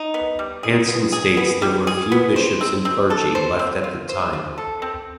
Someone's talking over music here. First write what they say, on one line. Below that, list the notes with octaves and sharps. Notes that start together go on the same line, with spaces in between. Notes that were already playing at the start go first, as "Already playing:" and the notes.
Anson states there were "few bishops and clergy" left at the time.
Already playing: D#4
B3
G3
G#4
B3
G#4
B3
G3
G#4
B3
C5
C4
C4
A4
C5
C4
F4
C5
F4
A4
C4